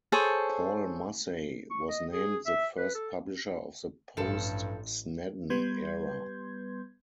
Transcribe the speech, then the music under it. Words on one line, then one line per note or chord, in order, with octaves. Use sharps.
Paul Massey was named the first publisher of the post-Snedden era.
G#4 A4 C5 C#5
C#6
D#5
G#4
E5
B4
A4
A1 G2 F3 A4
G3 B3 B4 C6 G6 G#6